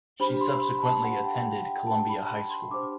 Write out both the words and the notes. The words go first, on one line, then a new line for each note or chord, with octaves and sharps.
She subsequently attended Columbia High School.
D4 G4 C5 B5
C6
B5
A5
D4 G4 C5 F#5
G5
F#5
G5
D4 G4 C5 A5
B5
C6
C6
D4 G4 C5 D6